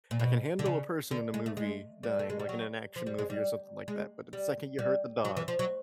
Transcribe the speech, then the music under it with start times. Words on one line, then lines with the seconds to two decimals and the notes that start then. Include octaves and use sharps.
I can handle a person in a movie dying, like in an action movie or something like that, but the second you hurt the dog,
0.11 A#2
0.19 B2
0.59 D3
0.66 C#3
1.11 D3
1.34 G#3
1.46 A3
1.57 G#3
2.03 G3
2.19 A3
2.30 G#3
2.40 G3
2.49 F#3
2.96 F3
3.07 G3
3.19 G#3
3.30 G3
3.88 G#3
4.33 G3
4.79 G3
5.25 F#3
5.37 E3
5.48 F3
5.59 F#3